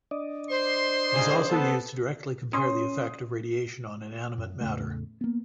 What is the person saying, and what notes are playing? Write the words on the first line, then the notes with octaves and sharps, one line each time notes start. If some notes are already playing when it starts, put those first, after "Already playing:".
It is also used to directly compare the effect of radiation on inanimate matter.
D4 D5 D#5
C5 C6
C#2 G#2 G#4
B3 A4 A5
C#4 C6 D#6
F#2
E2 A2 C#3 A3
A#3 B3